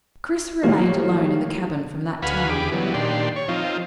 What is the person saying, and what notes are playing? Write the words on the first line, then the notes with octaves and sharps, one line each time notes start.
Chris remained alone in the cabin from that time.
A2 D#3 F#3 G3 A3 A#3
D2 F#4 B4 F5 G#5 B5
E2 G4 G#4 B5 D6
E3 F#3 G3 B3
A#2 D#3 D4 G4 C6
C#5
F3 C4 D#4 F4